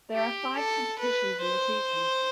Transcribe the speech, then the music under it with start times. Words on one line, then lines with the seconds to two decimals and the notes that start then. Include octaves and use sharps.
There are five competitions in the season.
0.13 G4
0.56 A4
0.99 B4
1.41 C5